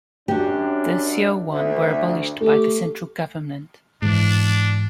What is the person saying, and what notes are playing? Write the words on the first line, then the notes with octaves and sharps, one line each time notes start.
The seowon were abolished by the central government.
F#2 D4 F#4 G4
D2 E5
A3 G4
G#2 E3 D4